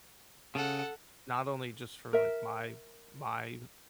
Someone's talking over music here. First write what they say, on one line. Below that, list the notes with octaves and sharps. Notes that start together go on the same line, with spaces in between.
not only just for, like, my my
C#3 A4 F#5
A#4 E5